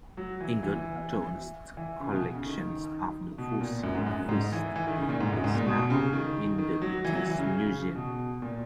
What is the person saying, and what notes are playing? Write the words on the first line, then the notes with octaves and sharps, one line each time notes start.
Egerton's collection of fossil fishes is now in the British Museum.
F#3
E3
E3
E3
C#3
B2
C#3
D#3
B2
A#2
F#2
G#2
F#2
G#2
E3
E3
D#3
C#3
A#2
G#2
F#2
G#2
A#2
B2
C#3
D#3
D#3
F#3
E3
F#3
E3
C#3
B2
A#2